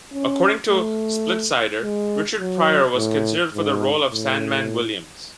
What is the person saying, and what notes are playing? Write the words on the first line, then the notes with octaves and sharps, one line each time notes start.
According to Splitsider, Richard Pryor was considered for the role of Sandman Williams.
C#4
A3
G#3
F#3
A2
G#2
A2